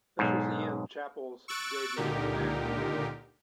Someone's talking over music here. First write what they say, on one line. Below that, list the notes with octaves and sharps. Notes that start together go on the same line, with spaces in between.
This was Ian Chappell's debut match.
B1 G#2
C#6 E6 F#6 A6 D7
C#2 A#2 D3 D#4 G4 A#4